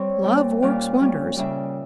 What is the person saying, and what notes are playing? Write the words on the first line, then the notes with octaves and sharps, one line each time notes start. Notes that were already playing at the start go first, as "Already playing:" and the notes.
Love works wonders.
Already playing: G3 C4 C#5
A#2 G3 C4
A#2 G3 C#4 F5
A#2 G3 C#4
C#3 G3 C#4 E5